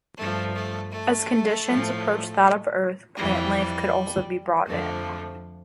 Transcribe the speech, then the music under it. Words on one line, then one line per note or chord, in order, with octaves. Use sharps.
As conditions approach that of Earth, plant life could also be brought in.
G2 F3 A3
A3
A3
A2 F3
F2 E3 G3
F2 D3 F3 A3